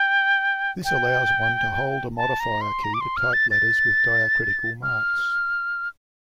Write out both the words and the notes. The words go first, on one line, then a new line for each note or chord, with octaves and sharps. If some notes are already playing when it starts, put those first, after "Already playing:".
This allows one to hold a modifier key to type letters with diacritical marks.
Already playing: G5
G5
A5
A#5
C6
A#5
D6
C6
F6
A6
A6
F6